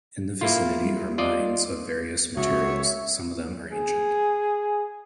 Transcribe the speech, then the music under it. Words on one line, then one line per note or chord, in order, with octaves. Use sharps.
In the vicinity are mines of various materials, some of them very ancient.
A#3 E4 F4
G3
F4 D5 D#5
C#2 F#4 C#5 E5
G#4